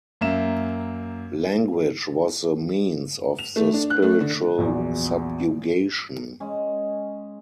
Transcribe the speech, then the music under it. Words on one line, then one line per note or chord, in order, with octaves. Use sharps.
Language was the means of the spiritual subjugation.
F#2 A#3 E5 E7
F7
A3
D4
F#6
A3
D3
A#1 E2 F#3
G#3 C#4